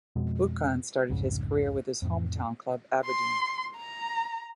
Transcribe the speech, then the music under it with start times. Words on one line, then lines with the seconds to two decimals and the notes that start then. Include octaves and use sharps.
Buchan started his career with his home town club, Aberdeen.
0.16 F2 B2 G#3
1.09 C2 F2 G#2 C#3
2.02 F2 A2
3.05 C6
3.77 A#5